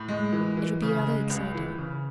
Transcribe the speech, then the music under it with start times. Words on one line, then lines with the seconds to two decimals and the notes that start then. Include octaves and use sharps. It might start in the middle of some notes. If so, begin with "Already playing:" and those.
"It would be rather exciting."
Already playing: A2
0.08 G#3
0.33 E3
0.57 E3
0.82 C#3
1.06 G#3
1.30 C#2
1.55 E3
1.78 C#3